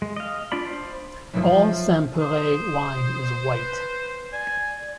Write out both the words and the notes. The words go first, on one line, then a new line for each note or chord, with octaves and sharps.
All Saint-Péray wine is white.
G#3
D#5 F5
D4 F4 D5 B5
C5
F3 F#3 E5
C5 D#6
B4
D5 G#5